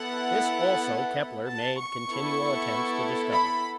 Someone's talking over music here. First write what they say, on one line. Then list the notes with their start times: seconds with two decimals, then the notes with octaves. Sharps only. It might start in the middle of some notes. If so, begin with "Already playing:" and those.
This also Kepler made continual attempts to discover.
Already playing: B3 E4 A4 F#5
1.47 A5
1.78 C#6
2.09 B3 E4 A4
3.32 B5